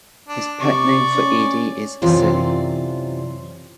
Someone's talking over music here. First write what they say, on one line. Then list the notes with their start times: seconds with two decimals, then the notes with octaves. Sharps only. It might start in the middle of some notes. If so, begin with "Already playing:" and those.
His pet name for Edie is "Silly".
0.28 D4
0.61 C3 D5 C#6
1.15 C#4
2.02 F#2 C3 E3 F4 D5